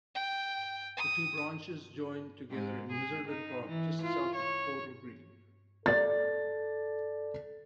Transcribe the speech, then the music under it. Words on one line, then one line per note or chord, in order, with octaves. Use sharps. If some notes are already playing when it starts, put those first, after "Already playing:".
The two branches join together in Miserden Park just south of Caudle Green.
G5
D#6
G#2
G#4
D#4
E3
F4
C#5
A4 D5 A6